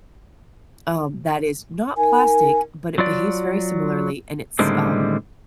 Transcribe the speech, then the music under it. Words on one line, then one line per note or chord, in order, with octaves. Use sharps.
um, that is not plastic, but it behaves very similarly, and it's, um,
D#4 A#4 G#5
F#3 F4 D5
A2 D3 D#3 G3 G#3 C4